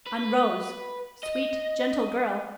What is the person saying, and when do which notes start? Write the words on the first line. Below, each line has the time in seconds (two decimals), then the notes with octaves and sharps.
On Rose, sweet, gentle girl!
0.06 B4
1.23 D#5